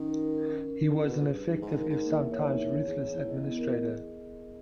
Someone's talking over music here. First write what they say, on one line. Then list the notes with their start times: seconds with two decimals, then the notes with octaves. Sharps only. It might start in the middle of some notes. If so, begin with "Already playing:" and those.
He was an effective, if sometimes ruthless, administrator.
Already playing: D#3 C#4 D#4
0.08 A#4
0.21 A#4
0.35 A#4
0.50 C#4
0.63 A#4
0.77 A#4
0.91 E4
1.05 B2 B4
1.19 A#2 G#4
1.33 G2 G#4
1.47 G2 D#4
1.61 G#2 D#4
1.76 A#4
1.89 G#2 A#4
2.04 A#3
2.17 E2 E5
2.32 C#5
2.45 D#4
2.60 E5
2.74 C#5
2.88 G#4
3.02 E4
3.15 E4
3.30 D#5
3.44 B3
3.59 A#4
3.72 D#5
3.86 G#4